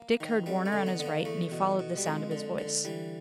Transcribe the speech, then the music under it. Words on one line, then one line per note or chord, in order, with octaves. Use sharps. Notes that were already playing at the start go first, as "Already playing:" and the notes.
Dick heard Warner on his right, and he followed the sound of his voice.
Already playing: A#3
D#3
F2 G3
A3
D3
B3
D3 B3
A#3
E2 A3
B2
B2
G3
F2 G#3
D3
D3
E3 G3